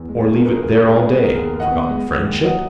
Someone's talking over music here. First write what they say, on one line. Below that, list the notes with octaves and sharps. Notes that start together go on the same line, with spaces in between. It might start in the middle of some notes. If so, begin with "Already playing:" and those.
Or leave it there all day, forgotten friendship?
Already playing: E2
G#3
E1
A#4
G#3 G#4 B4
A#4
E1 G#4
A#4
G#3
A#4
B3 G#4 B4
G#4
B3
A#4
D#2 G#4
A#4
D#2
D#5 F#5
B3
G#3
G#3
D#2
F#3 D#5 F#5